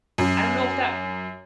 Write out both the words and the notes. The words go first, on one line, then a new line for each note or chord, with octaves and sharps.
I don't know if that
F#2